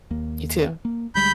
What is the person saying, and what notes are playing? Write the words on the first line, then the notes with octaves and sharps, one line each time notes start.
You too.
D#2 A#3
A#3
D2 G3 G#3 B5 G6